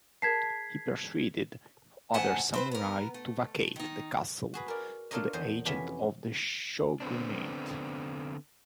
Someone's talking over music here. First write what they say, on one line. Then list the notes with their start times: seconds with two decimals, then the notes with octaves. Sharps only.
He persuaded other samurai to vacate the castle to the agents of the Shogunate.
0.22 G#4 A#4 A5 G#6 B6 C7
2.14 G#2 A3 F#5 G#5 A5
2.54 C4 B4 C5
2.71 B3 A#4
3.14 A3
3.76 D#3 D#4
4.54 F#4 G#4 B4
4.68 A#4 D5
5.11 D4 F4 A4 A#4 C#5 D#5
5.33 E2 C5 D#5
5.65 F2 C3 E3 B3 C#4 E5
7.00 D3 B3 C4 D4